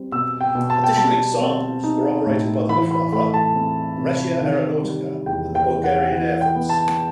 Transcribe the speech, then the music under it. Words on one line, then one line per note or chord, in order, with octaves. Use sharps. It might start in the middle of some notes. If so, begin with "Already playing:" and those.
Additional examples were operated by the Luftwaffe, Regia Aeronautica, and the Bulgarian Air Force.
Already playing: G3 C4
B2 E6
G5
B2
A5
G5
G3 A5
C4
D#4
A2
E3 B5
B5
A3 B5
A5
C4
C3
D#3
G3
E2 G5
G5
E2
F#5
E3 F#5
G5
B3
A5